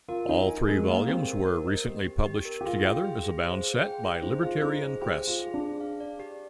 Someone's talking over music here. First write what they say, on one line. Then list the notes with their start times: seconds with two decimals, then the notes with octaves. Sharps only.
All three volumes were recently published together as a bound set by Libertarian Press.
0.08 F4 A#4
0.29 D#4 A#4
0.48 G#5
0.68 G#3 A#4
0.88 A#3 D#5
1.08 C4 G4
1.27 A#4
1.47 A#4
1.67 D#5
1.86 G4
2.06 G4
2.26 G4
2.45 A#4
2.61 G4
2.65 F4 G#4
2.85 G5
3.04 G#4
3.24 G#4
3.44 C5
3.64 G#4
3.83 G5
4.04 G#4
4.23 D#4 C5
4.43 F4 G#4
4.62 D#4 C5
4.81 G#4
5.02 G4 C5
5.21 G#4
5.27 F4
5.42 G#4
5.54 D4
5.60 G#4
5.81 F5
6.00 D5
6.20 G4